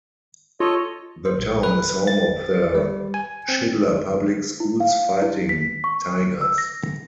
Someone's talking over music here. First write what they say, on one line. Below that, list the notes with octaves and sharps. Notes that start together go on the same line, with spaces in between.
The town is home of the Shidler Public Schools Fighting Tigers.
F4 A4 C#5 D#5
C5
A#1
B4
A6
G3
G#5
C4
E4
F5
E4
B6
C#6
E6
A#6